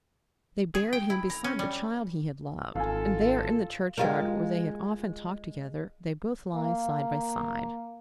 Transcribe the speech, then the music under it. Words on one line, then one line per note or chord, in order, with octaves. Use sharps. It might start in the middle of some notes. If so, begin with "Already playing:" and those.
They buried him beside the child he had loved, and there in the churchyard where they had often talked together they both lie side by side.
G#4
G5
E4
A#5
C#4
G3
G#1 F4 A4 F5 G#5
G#3 F4 A#4
A#3